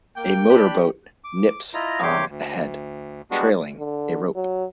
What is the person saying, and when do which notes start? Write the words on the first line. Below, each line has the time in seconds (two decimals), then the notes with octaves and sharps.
A motor-boat nips on ahead, trailing a rope.
0.17 A#3 G5 D6 G6
0.50 D4 G4 B5 F#6
1.24 D6
1.74 E4 F4 D#5 A#5
2.03 G2 C3 G4 C#5 C6 D6
2.29 D2
3.31 G3 G#3 B3 D4 F#4
3.79 D3
4.36 F#3